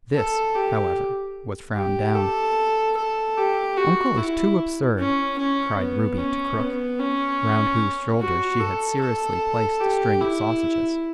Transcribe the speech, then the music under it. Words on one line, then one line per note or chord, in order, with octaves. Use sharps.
This, however, was frowned down. "Uncle is too absurd," cried Ruby to Crook, round whose shoulders she had seriously placed a string of sausages.
A4
G4
G4
A4
A4
G4
F#4
E4
C#4
C#4
B3
C#4
B3
C#4
F#4
A4
A4
G4
E4